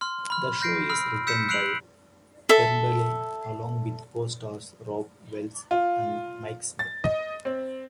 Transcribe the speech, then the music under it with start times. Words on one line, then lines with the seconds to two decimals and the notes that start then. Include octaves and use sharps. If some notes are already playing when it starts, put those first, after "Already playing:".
The show is written by Tremblay along with co-stars Robb Wells and Mike Smith.
0.01 C6 F6
0.30 B5 F6
0.61 F6 G6 A#6 C7 D7
0.90 B5 E6 F6
1.27 E6 G6 B6 C#7 E7
1.49 E6 F#6 C7 D7 F7 F#7
2.49 A4 E5
5.71 F4
6.79 A6
7.04 D#5
7.45 C4